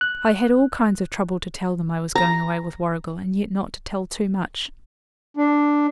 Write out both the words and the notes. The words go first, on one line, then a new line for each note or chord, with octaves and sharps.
'I had all kinds of trouble to tell them I was going away with Warrigal, and yet not to tell too much.
F#6
A#5
D4